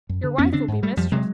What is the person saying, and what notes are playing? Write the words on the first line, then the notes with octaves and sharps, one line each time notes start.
Your wife will be mistress.
F#2
D3
F2 B3 C#4
D3 C4 D4
G#2
G3 A3
F2 F3 G3
C3 F#3 G#3